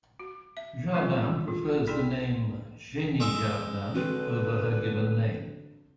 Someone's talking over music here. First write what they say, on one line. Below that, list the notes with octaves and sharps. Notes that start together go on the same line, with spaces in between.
Jardin prefers the name "Xeni Jardin" over her given name.
F#4
E5
F#3 G3 A3 C4 C#4 F4
G#3
F4
D#4 G#4 A4 D5 G5 C6
G#3 E5
D3 C4 F#4 B4